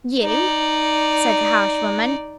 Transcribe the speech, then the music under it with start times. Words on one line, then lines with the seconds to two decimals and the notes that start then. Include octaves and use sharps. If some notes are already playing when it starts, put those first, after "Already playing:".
"You!" said the harsh woman.
0.23 D#4 D5